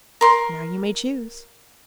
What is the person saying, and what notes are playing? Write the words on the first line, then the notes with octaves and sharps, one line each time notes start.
Now you may choose.'
A#4 C6